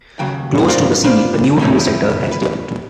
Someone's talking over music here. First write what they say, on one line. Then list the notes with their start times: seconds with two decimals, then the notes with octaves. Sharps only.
Close to the sea, a new tourist centre has developed.
0.19 D#2 C#3 F#3 G5
0.68 F4 F#4 A#4 C5 D5 F5
1.04 A#3 D4 F4 B4 C5 D5
1.60 A3 B3 C#4 D#4 E4 G4
2.31 B4